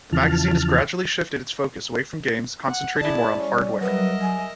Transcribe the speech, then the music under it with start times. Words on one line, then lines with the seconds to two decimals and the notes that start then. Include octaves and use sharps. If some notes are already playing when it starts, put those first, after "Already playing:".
The magazine has gradually shifted its focus away from games, concentrating more on hardware.
0.12 E2 C#3 E3 F3 A5 F6
2.68 F#5
3.01 E4 G#4 D5 A5
3.37 G3 C#4
3.81 F#3 A#4 B4 D#5 E5
4.21 G#5